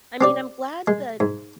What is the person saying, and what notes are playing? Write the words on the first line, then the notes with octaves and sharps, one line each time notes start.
I mean, I'm glad that
C4 G4 D5
G#3
G#2